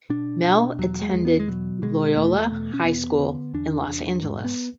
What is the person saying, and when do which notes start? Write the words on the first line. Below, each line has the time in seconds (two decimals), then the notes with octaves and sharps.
Mehl attended Loyola High School in Los Angeles.
0.10 B2 D4
0.44 B2
0.79 E2 F#3
1.02 G#3
1.13 E2
1.25 B3
1.39 G#3
1.48 B2 F#3
1.82 B2 G#3
2.16 E2 A3
2.51 B2
2.74 C#4
2.84 E2 B3
3.19 D3
3.54 E2 D4
3.87 E2
4.22 G#2
4.44 B3